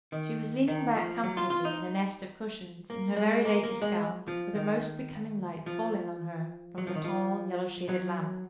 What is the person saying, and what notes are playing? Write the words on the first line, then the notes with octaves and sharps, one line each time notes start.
She was leaning back comfortably in a nest of cushions, in her very latest gown, with a most becoming light falling on her from the tall, yellow-shaded lamp.
D#3
D#3
F3
F#3
F4
F4
D#4
A#3
G#3
A#3
A#3
G#3
F3
D#3
F3
F#3
F3
D#3
F3
F#3